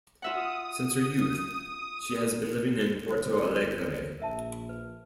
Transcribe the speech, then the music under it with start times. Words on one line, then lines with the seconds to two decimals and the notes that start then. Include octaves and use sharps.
Since her youth she has been living in Porto Alegre.
0.22 F4 E5 F#5 D#6
3.07 G1 G4 C5
4.20 A#1 A#4 E5 A5
4.69 B4